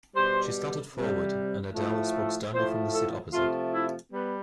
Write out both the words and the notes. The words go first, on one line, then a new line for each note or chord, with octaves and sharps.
She started forward, and Adele spoke sternly from the seat opposite.
B2 G3 C5
C3 G3
A2 F3 A3
A2 F3 A3 C5
A4
C3 F3 A3 F4
E4
G3 B3